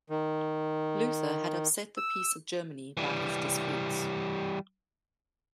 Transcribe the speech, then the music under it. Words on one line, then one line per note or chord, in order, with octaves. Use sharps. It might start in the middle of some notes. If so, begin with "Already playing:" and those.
Luther had upset the peace of Germany by his disputes.
D#3
E6
E3 G3